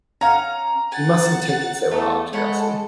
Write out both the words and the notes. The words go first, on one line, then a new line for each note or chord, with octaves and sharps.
You mustn't take it so hard, Gussie.
C#4 F5 F#5 A#5
F#5 G#5 A6
E2 A3 D#4 A4
G#3 A4 C#5 F#5 B5